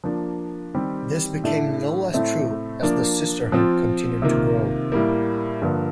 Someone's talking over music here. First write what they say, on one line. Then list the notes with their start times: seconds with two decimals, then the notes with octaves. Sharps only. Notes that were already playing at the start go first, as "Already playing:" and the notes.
This became no less true as the sisterhood continued to grow.
0.04 F3 A#3 D4
0.74 D#3 G3 C4 G4
1.44 A2 A3 D4
2.14 A2 A3 C4
2.83 F3 A#3 D4
3.52 F3 C4 F4
4.22 C3 D#3 A#3 F4
4.92 A2 G3 A#3
5.62 G2 D3 F3 A#3